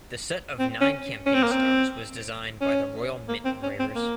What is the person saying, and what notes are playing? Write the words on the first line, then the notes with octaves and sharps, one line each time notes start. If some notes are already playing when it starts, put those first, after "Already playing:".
The set of nine campaign stars was designed by the Royal Mint engravers.
C4
C#4
C#4
C4
A#3
C4
C#4
A#3
C4
C#4
C4
A#3